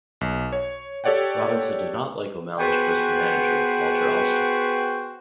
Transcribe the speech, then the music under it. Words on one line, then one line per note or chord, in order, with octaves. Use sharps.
Robinson did not like O'Malley's choice for manager, Walter Alston.
B1
C#5
G4 A4 C#5 D5 F#5 G5
B3 F#4 G#4 B4 C5 G5